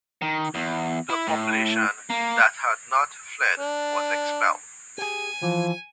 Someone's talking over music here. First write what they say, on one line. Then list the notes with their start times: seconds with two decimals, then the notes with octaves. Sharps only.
The population that had not fled was expelled.
0.22 D#3
0.55 E2
1.10 E4
1.27 A2
2.10 A#3
3.60 D4
4.98 G4 G#4 G#5
5.42 E3 F3